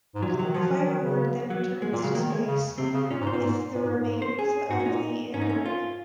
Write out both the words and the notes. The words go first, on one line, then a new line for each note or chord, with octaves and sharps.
Firelord then returns to space with the remains of the android.
G#2
A#2 F#3
C3
D#3 F#3
F3 F#3
F3
D#3
C#3
F#3
G#3
A#2
C#3 F#3
D#3 A#3
G#3
C#3
C3 C4
C#3
A#2 C#4
G#2
C5
A#2
G#2
A#2
G#2
G#2
C5
G#4
G#2 F#4
C#4
A#2 D#4
G#2 C#4
D#4
C#4
F4